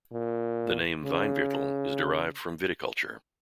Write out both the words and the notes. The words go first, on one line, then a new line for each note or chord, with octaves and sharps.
The name Weinviertel is derived from Viticulture.
A#2
C#3